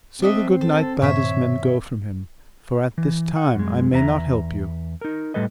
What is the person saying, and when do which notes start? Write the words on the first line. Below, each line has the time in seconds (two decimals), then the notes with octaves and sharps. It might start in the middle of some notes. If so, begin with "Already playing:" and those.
So the good knight bade his men go from him: For at this time I may not help you.
0.22 C4 D4 D#5 E5
0.61 A4
1.02 G2 A#2 D#3 C#5 E5
2.98 E3
3.37 F#5
3.56 F#2 G#3
3.93 E2 E5 A#5
5.01 D#4 A#4
5.34 A2 G3 A4 B4 D#5